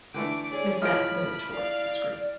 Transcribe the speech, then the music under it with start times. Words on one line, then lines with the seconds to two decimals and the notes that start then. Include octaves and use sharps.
Miss Mapp moved towards the screen.
0.14 D3 E3 A3 D6
0.51 G#4 C#5 D5
0.82 A2 F4 D#5 B5 F6 D7
1.52 E4 D5 F5